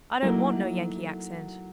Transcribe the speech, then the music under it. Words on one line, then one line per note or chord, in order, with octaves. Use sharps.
I don't want no Yankee accent.
F#3 A3 A#3 D#4 E4 A#4